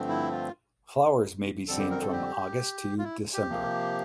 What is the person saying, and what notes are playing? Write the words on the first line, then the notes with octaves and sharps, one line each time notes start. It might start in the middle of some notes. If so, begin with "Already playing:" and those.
Flowers may be seen from August to December.
Already playing: G2 D3 F3 A3 C4
E4
F4
F2 D3 G3 C4 A4
G4
A#4
A4
G4
F4
E4
G4
C3 F3 A#3